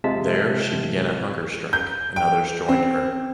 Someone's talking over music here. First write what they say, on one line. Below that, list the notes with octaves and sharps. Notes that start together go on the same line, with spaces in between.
There, she began a hunger strike, and others joined her.
C3 G#3 F4 A5 B6
G6
G5
C4